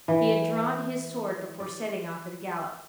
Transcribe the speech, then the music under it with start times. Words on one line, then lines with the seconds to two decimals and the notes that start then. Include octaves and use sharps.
He had drawn his sword before setting off at a gallop.
0.08 E3
1.60 D5